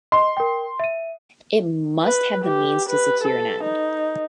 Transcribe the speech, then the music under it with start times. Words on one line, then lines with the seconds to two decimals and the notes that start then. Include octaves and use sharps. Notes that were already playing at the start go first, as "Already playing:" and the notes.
It must have the means to secure an end.
0.12 D#5 C6
0.37 A#4 G5
0.80 E5 D#7
2.04 B4
2.44 G4
2.89 B4
3.23 A4
3.64 D#4